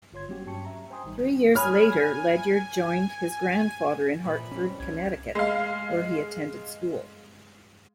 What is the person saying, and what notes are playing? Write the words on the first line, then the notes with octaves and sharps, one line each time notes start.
Three years later Ledyard joined his grandfather in Hartford, Connecticut, where he attended school.
G1 F4 C#5 C6 G#6
F#3 G3 A#3 C#4 F#4 G4
G2 C#4 G5 A5 C#6 C#7
E5 A#5
C5 G5 G#5 C6 D#6
A1 D#3 G3 D#4
C#5 G#5 B5 D#6 F6
A#2 E3 F3 B5
F2 G3 C#4
C2 G#6
G#3 F5